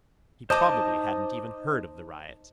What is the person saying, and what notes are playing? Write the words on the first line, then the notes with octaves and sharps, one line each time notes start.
He probably hadn't even heard of the riot.
D#4 C5 D#5 A5 D6